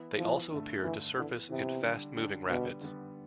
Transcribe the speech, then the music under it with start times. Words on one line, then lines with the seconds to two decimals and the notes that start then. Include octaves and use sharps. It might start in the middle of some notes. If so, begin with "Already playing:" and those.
They also appear to surface in fast-moving rapids.
Already playing: E3 B3 E4
0.18 E3 F3 B3 E4
0.51 G2 D3 A3
0.84 G2 D3 E3 A3
1.17 D3 E3 B3 E4
1.49 C3 E3 B3 E4
1.82 D3 G3 D4
2.16 D3 G3 D4
2.48 B2 D3 G3 B3
2.81 D3 G3 B3